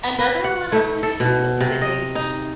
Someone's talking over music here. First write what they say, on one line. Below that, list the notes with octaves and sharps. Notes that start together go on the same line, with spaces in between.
Another one I wouldn't do is a dating show.
B4
F#5
A3
A4
B2
C3
D#5
D#4